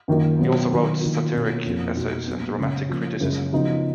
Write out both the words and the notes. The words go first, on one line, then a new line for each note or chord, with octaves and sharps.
He also wrote satiric essays and dramatic criticism.
F#2 D#3 A#3 F4
B2 F#3 B3
D#3 F#3 B3
D#3 A#3 F4
B2 A#3 C#4 F4
F2 F3 A#3 C#4
B2 A#3 D#4 F#4
A#2 F#3 B3
F#2 C#3 G#3 C#4
F3 A#3 C#4
F#2 C#3 G#3
C#3 F3 B3 D#4 F#4